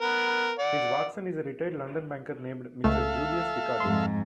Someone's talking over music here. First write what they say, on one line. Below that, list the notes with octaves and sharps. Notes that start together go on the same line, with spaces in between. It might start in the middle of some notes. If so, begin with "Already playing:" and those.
His "Watson" is a retired London banker named Mr. Julius Ricardo.
B3 A#4 B4
D5 F#5
C#2 A3 A4 E5 F5
F2 G#2 C6